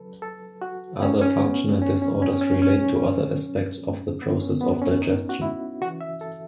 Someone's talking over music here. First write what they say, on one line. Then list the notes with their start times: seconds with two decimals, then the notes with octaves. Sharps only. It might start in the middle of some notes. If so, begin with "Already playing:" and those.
Other "functional" disorders relate to other aspects of the process of digestion.
Already playing: C#3 F#3 A4 B4
0.22 A4
0.62 F#4
1.02 C#4
1.21 C#4
1.42 B3
1.82 C#4
2.02 C#4
2.22 C#4
2.41 C#4
2.61 B2 F#3 C#4
4.22 B3
4.41 C#4
4.61 B3
4.82 C#4
5.02 D#4
5.29 F#4
5.42 E4
5.81 C#3 F#4
5.85 E3
6.01 E5
6.21 A4